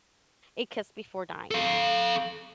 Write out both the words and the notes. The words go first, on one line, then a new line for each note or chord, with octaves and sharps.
A Kiss Before Dying,
A4 F5